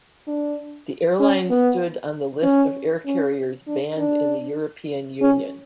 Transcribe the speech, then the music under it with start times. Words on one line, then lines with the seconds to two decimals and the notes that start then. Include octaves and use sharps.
The airline stood on the List of air carriers banned in the European Union.
0.27 D4
1.20 C#4
1.50 B3
2.43 C#4
3.06 C#4
3.68 D4
3.98 D4
5.22 C#4